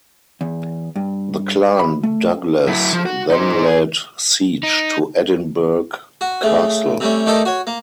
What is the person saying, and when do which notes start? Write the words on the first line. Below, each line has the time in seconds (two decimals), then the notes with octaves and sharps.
The Clan Douglas then laid siege to Edinburgh Castle.
0.41 E2
0.96 G2
1.79 B5
2.03 A3
2.68 F#3 E4
2.93 F3
3.06 F#4
3.30 D#4 C5
3.66 G#4
4.63 D#4
6.21 F#4
6.43 C#3 A3
7.00 C3 G3 A3 C#4
7.26 D#3 A3 G4 A4 D5 D#5
7.45 F#4 C#5
7.67 A#3